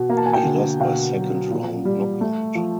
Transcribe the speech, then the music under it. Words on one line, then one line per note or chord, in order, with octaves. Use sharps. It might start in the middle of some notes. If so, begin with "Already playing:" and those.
He lost by second-round knockout.
Already playing: B2
A#3 A#5
A5
G#5
G5 A5
D3
B2 F5 G5
F#3
A#2
G3
A3
F3